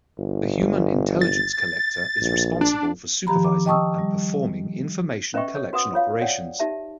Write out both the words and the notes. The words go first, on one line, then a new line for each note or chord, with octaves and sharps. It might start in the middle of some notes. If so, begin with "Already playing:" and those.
The Human Intelligence Collector is responsible for supervising and performing information collection operations.
G1
A6
A#1
D4
D#3 F3 G4 A#5 B5
D6
D#5 G5 A5 C#6 D#6 E6
G3
C#4 B4 D#5 E5 G5 C#6
C#5
F#4 B4 F#5 D#6
F4 C#5 F5
C#5 D5 F#5 G5
D#4 G4 E5 A5